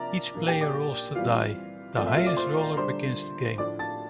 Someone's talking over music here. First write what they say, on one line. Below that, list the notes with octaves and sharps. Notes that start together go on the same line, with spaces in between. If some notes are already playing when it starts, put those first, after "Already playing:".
Each player rolls the die; the highest roller begins the game.
Already playing: C3 F3 A#3 D4 A#4 D5 E5 A#5
A#2 F3 A#3 D4
G4 G5
D5 D6
E3 G3 C4 F4 F5
A#2 F3 A3 C4 D5
E5
F4 F5
D5 D6
C5 C6
A#4 A#5
D3 G3 D4 C5 C6
A2 F3 A3 D4 D5 D6
A5 A6